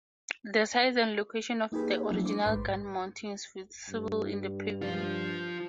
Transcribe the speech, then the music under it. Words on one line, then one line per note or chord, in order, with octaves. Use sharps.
The size and location of the original gun mounting is visible in the paving.
A#3 D#4 G4 G#4 B4
F3 F#3 A3 A#3 D4 E4
C5 D6
A1 G#2 B4 C6
G2
F3 F4